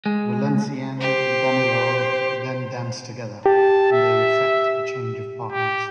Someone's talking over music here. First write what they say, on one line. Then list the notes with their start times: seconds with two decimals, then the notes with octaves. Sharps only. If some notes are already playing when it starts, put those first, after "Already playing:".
Valencienne and Danilo then dance together, and they effect a change of partners.
0.06 G#3
1.01 G4 C5
3.46 G4 A5
3.92 E5
5.52 G4